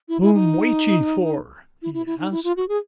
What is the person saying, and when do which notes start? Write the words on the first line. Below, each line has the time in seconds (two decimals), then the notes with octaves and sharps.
'Whom wait ye for?' he asked.
0.09 E4
0.21 E4
0.34 D#4
1.82 E4
1.94 E4
2.06 E4
2.19 D#4
2.31 E4
2.44 F4
2.57 F#4
2.68 G#4